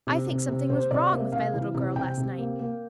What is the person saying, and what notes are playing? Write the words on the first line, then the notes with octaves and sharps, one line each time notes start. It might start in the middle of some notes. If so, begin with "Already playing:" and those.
I think something was wrong with my little girl last night.
C3
C3
C3
C3 C5
C3 D5
A#3 E5
C3 F5
E3
C3
C3 G5
C3
A#3
A#3